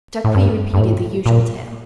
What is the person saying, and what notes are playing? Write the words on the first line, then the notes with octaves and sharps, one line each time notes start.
Jacques repeated the usual tale.
A2
G2
G2
A2
A#2